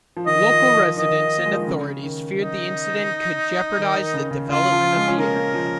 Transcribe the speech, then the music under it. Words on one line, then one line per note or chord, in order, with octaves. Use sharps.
Local residents and authorities feared the incident could jeopardise the development of the area.
F3
D#3 D#5
F3
F3
D#3 D#5
A#3
G#3
F3
D#3
C#3
D#3
D#4
D#3
D#3
C#3
C#3
C#3 F4
F3
G#3
C#4
A#3 A#4
A#3
F3